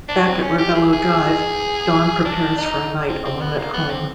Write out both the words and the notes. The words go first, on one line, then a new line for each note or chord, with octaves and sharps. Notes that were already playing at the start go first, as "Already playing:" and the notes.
Back at Revello Drive, Dawn prepares for a night alone at home.
D4
C4
C#4
G4
G#4
G#4
D4
D#4
C4
C4
B3
A#3
B3
C4